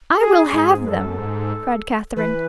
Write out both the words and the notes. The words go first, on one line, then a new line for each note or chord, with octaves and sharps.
"I will have them," cried Katharine.
G#4
G#2 G#4
F#2 A4 B4
G#2
E3 B4